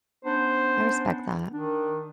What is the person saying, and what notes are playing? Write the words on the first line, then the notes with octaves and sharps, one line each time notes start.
I respect that.
B3 C#4 D4 C5
D#3 D4